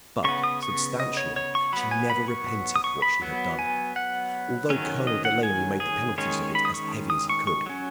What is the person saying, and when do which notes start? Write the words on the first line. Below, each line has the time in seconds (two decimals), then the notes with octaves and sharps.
But substantially she never repented what she had done, although Colonel Delaney made the penalties of it as heavy as he could.
0.24 C#3 B3 C#6
0.44 D#6
0.63 C#6
1.00 D#5
1.17 C#5
1.36 C#5
1.55 C#6
1.73 F#3 B3 B5
1.91 G#5
2.10 B5
2.28 C#6
2.76 D#6
2.84 C#6
3.02 B5
3.21 F#3 B3
3.59 G#5
3.96 F#5
4.70 D#3 F#3 C#4
5.07 D#5
5.25 F#5
5.43 G#5
5.80 G#4
6.18 D#3 G#3 C#4 C#5
6.55 B5
6.65 D#6
6.74 C#6
7.10 D#6
7.29 C#6
7.47 C#6
7.66 F#3 C#4